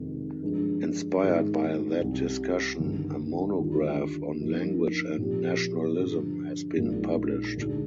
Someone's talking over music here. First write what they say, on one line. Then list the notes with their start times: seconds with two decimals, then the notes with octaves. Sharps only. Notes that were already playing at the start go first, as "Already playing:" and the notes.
Inspired by that discussion, a monograph on language and nationalism has been published.
Already playing: F1 F2 C3 D#3 G#3
0.41 G2 F3 G#3 D4
1.20 G#2 D#3 G#3 D#4 G#4
2.00 C2 C3 G3
2.79 G1 G2 D#3
3.60 D#2 D3 G3 D4 F4
4.40 G2 F3 A#3 D#4
5.18 A#2 F3 C4 G4
5.98 G2 D3 F3
6.78 A#1 A#2 G#3 D#4
7.57 D2 D3 G#3 D4 G#4